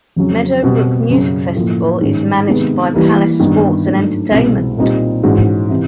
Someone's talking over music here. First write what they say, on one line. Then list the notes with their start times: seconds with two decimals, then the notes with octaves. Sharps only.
Meadow Brook Music Festival is managed by Palace Sports and Entertainment.
0.16 F2 C#3 F#3
0.63 B2 G3 C4
1.09 F#2 C#3 F#3
1.55 A2 F3 A#3
2.01 G#2 D#3 G#3 C#4
2.47 C3 D#3 G#3 B3
2.94 E3 G3 A#3
3.40 G2 D#3 G3 B3
3.85 G#2 D#3 F#3 A3 D4
4.31 C2 B2 G#3 C4
4.78 A#2 G3 C4 D#4
5.23 G#2 E3 G#3 C#4 F#4
5.69 C3 E3